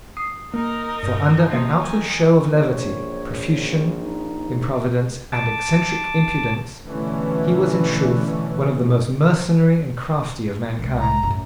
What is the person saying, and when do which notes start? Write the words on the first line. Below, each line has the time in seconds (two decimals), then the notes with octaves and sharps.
For under an outward show of levity, profusion, improvidence, and eccentric impudence, he was in truth one of the most mercenary and crafty of mankind.
0.17 D#6 C7
0.54 A#3 D#4 A#4
1.03 G2
1.48 F3 A#3 D#4 A5
1.80 D#3 G#5
2.52 A#1 C#5
4.00 D#4
5.33 A5 D6
6.85 B2 D3 E3 G3 A3 C#4
10.79 C2 G#3
10.99 A#5
11.23 A1 F#2